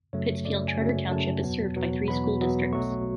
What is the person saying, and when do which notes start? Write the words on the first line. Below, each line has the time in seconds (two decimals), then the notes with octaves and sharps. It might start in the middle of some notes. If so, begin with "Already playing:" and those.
Pittsfield Charter Township is served by three school districts.
0.13 F#2 C#3 F#3 A3 C#5
0.45 F#2 C#3 F#3 A3 D5
0.56 E5
0.68 G#5
0.78 F#2 C#3 F#3 A3
1.11 F#2 C#3 F#3 A3 A5
1.43 E2 B2 F#3 B3
1.76 E2 B2 F#3 B3
2.08 E2 B2 F#3 B3 B5
2.41 E2 B2 F#3 B3
2.73 B1 B2 F#3 A3 C#6